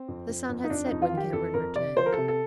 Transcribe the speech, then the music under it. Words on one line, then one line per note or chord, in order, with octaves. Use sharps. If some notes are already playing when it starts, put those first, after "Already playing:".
The sun had set when Cameron returned.
Already playing: C4
F2
F2
F2
D#4
F2 D4
D#4
F2
F4
D#3 G4
F2 A4
F2 A#4
C3 D5
F3 C5
A#4
C3 A4
A4